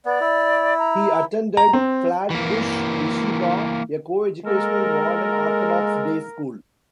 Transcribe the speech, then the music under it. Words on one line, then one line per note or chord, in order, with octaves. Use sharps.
He attended Flatbush Yeshiva, a coeducational modern Orthodox day school.
B3 D5
E4
A#5
A#5
C4
E3 A#3
G#3 A#3 A4 A#4